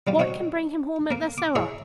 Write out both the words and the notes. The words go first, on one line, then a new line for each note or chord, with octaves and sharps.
What can bring him home at this hour?
F#3 G3 F4
C4 D#4 F#4 C#5
A#3 A#4
D6
E4 G#4 C#5 E5 A#5